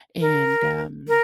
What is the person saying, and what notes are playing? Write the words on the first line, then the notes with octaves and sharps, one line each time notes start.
and um
A#4
A#4